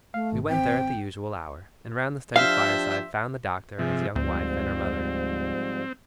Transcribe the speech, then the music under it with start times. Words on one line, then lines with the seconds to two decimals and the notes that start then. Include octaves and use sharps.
We went there at the usual hour; and round the study fireside found the Doctor, and his young wife, and her mother.
0.14 A3 F5
0.32 G#1
0.49 C4 G5
2.36 F3 D4 G4 C5 E5 F5
3.79 F2 C3 F3 G#4 E5
4.16 D2 G#2 F3 G3 C4